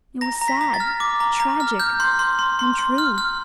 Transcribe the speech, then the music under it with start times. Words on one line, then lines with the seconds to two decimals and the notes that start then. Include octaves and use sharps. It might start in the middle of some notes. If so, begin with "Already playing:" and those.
It was sad, tragic--and true!
0.21 A#5 A#6
0.41 A#5
0.48 B6
0.61 A#5
0.74 A6
0.80 F6
1.00 D6
1.20 A#5
1.40 A#5
1.60 F6
1.80 F6 G6
2.00 C6
2.19 C6
2.39 C6
2.59 C6
2.78 C6
2.98 F6
3.18 F6